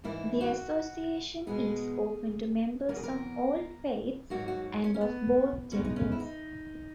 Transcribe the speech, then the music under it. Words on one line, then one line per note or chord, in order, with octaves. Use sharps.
The association is open to members of all faiths and of both genders.
G#2 E3 A#3 E4
F#4
B2 G#3 B3 G#4
E2 B2 F#3 A#3 A#4
G#4
A#4
G#2 F#3 A#3 F#4
F#4
C#4
C#4
B3
B2 G#3 B3 C#4
D#4
C#4
E4
D#4